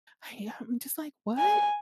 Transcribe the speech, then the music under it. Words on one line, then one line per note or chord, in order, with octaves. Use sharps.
I am just like, "What?"
G#5